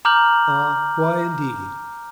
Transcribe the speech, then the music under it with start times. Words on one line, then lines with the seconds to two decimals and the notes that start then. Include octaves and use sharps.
Ah! why indeed?
0.05 A#5 D6 F6 G6 F#7